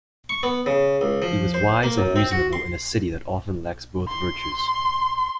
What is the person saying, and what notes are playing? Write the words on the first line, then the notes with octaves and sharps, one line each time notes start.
He was wise and reasonable in a city that often lacks both virtues.
C#6
B3
C#3
C#2
F3
C5
A#3
F#2
C4
F#4
C6
C6